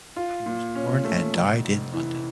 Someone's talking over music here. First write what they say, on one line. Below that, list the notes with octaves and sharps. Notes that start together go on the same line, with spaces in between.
He was born and died in London.
F4
A#2
C#4
A3
F1
F1
E3